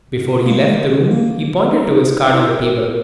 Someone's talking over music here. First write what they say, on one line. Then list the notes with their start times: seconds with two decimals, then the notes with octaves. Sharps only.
Before he left the room he pointed to his card on the table.
0.46 A#3
0.50 G#3
1.11 A#3
1.72 D#4
2.34 E4
2.48 A#4
2.79 A#4